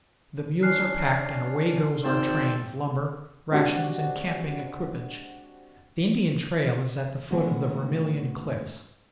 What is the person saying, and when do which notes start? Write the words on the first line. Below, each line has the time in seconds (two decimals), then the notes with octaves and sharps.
The mules are packed and away goes our train of lumber, rations, and camping equipage. The Indian trail is at the foot of the Vermilion Cliffs.
0.62 C#4 D4 F6 F#6 C7
2.04 G#1 C5 D5 G5 E6
3.51 G#3 C4 D4 F#4 G4
7.31 A2 D#3 G#3 B3 C#4 F#4